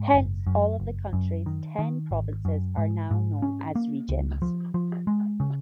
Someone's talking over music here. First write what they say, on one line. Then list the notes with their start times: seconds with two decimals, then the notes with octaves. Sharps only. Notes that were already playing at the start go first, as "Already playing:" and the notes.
Hence, all of the country's ten provinces are now known as regions.
Already playing: G#2
0.14 F#1
0.47 F#2
0.80 F#1
1.13 F#2
1.46 D#3
1.79 D#3
2.11 G#1
2.45 F#2
2.78 G#2
3.11 G#2
3.42 C#4
3.75 A#3
4.09 C#2
4.42 F3
4.74 F3
5.07 G#3
5.40 C#3